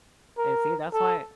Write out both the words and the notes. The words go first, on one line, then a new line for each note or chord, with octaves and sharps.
and see that's why
A#4
A4